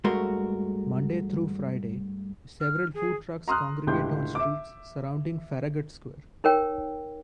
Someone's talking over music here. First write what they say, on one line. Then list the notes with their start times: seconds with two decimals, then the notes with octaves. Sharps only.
Monday through Friday, several food trucks congregate on streets surrounding Farragut Square.
0.04 G2 G#3 A3 F#4 A#4 C6
2.60 F6
2.94 G#4
3.48 A#5 C6 D#6 F6 F#6
3.87 C#2 A2 D3 G4 C6 G6
4.35 E5 D6
6.44 D#4 A#4 C#5 G5